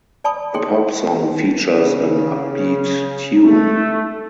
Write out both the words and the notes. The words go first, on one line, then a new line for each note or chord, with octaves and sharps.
The pop song features an upbeat tune.
D5 A5 B5 C#6 D#6
G#4 A4 C#5 D#5 G5 C6
C#3
A3